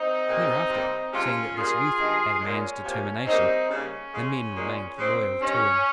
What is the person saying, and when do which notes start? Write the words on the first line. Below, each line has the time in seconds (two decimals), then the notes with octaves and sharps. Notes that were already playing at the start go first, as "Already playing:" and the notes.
Thereafter, seeing that this youth had a man's determination, the men remained loyal to him.
Already playing: C4 D#4
0.27 A#2 G3 A#3
0.70 C3 G3 A#3
1.12 C3 F3 G#3 C#4 F4
1.55 C#3 G3 A#3 F4 G#4
1.98 G2 D#3 G#3
2.40 A#2 G#3 C#4
2.83 C3 F3 A#3
3.26 C#3 G3 A#3 C4 D#4
3.69 C#3 G3 A#3 C#4
4.12 C#3 G#3
4.55 A#2 G#3
4.97 C#3 G#3 C4
5.40 G2 D#3 G3 C#4